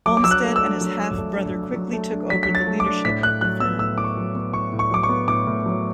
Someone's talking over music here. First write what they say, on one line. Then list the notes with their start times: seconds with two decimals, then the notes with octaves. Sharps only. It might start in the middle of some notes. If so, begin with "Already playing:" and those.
Olmsted and his half brother quickly took over leadership of the firm.
0.06 F#3 D6
0.17 D6
0.24 F#3 E6
0.31 F#6
0.44 A3
0.56 E6
0.63 D4
0.81 F#3
0.99 F#3
1.18 A3
1.37 D4
1.56 F#3
1.74 F#3
1.93 A3
2.11 D4
2.30 F#3 B6
2.43 B6
2.49 F#3
2.55 A6
2.67 A3
2.80 D6
2.86 D4
3.05 A2 B6
3.23 A2 F#6
3.41 F#3 F#6
3.60 B3 E6
3.79 A2 E6
3.98 A2 D6
4.04 C#6
4.17 F#3
4.35 B3
4.53 A2 C#6
4.73 A2
4.79 C#6
4.91 F#3 D6
5.03 C#6
5.09 B3
5.28 A2 D6
5.47 A2
5.66 F#3